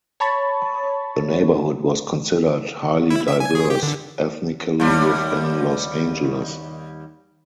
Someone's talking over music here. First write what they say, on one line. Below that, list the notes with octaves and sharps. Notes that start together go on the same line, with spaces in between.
The neighborhood was considered "highly diverse" ethnically within Los Angeles.
C#5 A5 B5 C#6 A6
E4
E5
G#5
G#4
G4
D3
D#2 G3